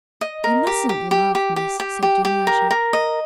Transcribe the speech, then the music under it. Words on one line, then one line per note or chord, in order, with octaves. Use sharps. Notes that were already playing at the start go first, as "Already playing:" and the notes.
"You mustn't laugh, Miss," said Dunyasha.
D#5
A#4
G4
G4
G4
G4
G4
G4
G4
G4
A#4
A#4
D#5